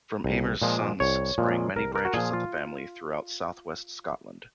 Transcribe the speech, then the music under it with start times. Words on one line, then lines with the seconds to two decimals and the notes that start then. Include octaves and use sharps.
From Aymer's sons sprang many branches of the family throughout south-west Scotland.
0.24 C2
0.62 A#2 F3 G#3
1.00 C2 C#5
1.38 A#2 F3 G#3
1.76 C2 A#4
1.95 A#4
2.05 F#4
2.14 A#2 F3 G#4
2.33 F4